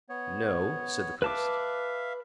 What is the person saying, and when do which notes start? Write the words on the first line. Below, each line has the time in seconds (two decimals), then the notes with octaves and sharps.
"No," said the priest.
0.09 B3 C#5
1.22 B4 E5 F5 A5 D6